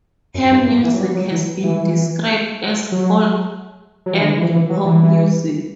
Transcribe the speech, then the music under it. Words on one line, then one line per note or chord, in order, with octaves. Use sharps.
Her music has been described as folk-urban pop music.
F#2
G2
A2
E3
F#3
G3
F#3
E3
E3
F#3
F#3
E3
D3
E3
E3
F#3
E3